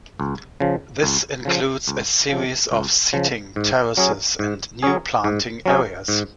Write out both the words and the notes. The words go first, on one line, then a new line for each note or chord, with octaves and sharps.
This includes a series of seating terraces and new planting areas.
C#2
C#3 F3
C#2
C#3 F3
C#2
C#3 F3
C#2
C#3 F3
G#2
F#3 C#4 G#4
G#2
F#3 C#4 G#4
G#2
F#3 C#4 G#4
G#2